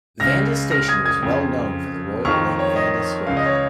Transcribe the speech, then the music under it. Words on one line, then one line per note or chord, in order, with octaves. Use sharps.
Vanda Station was well known for The Royal Lake Vanda Swim Club.
C#2 C#3 F6 A#6
F6 A#6
D#6 G#6
D#6 G#6
F2 C#3
F2 D#3 C#6 F6
C#5
D#5
C#2 C#3 F5
D#5
C#5